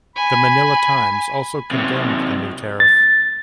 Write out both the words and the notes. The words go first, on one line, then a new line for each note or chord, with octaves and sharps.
The Manila Times also condemned the new tariff.
G#5 B5
C3 F#3
A6